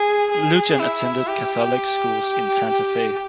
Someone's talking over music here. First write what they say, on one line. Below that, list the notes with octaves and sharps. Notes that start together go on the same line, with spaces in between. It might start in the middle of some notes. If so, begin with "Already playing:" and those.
Lujan attended Catholic schools in Santa Fe.
Already playing: G#4
G#4
E4
G4
G4